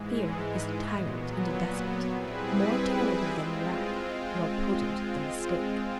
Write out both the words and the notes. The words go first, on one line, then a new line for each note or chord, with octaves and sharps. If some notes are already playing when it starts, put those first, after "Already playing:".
Fear is a tyrant and a despot, more terrible than the rack, more potent than the stake.
Already playing: G#2 E3 G#3
A#2 F#3 B3
G3 C4 E4 G#4 B4
G#3 C4 F4